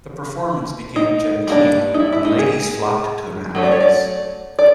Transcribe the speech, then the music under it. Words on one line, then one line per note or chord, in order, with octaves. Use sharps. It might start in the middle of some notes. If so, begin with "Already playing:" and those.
The performance became genteel, and ladies flocked to the matinees.
D#4
G3 A#3 D4
D#4
E4
E4
D#4
G#4
F#3 A3 C#4
D5
C#5
D5
D5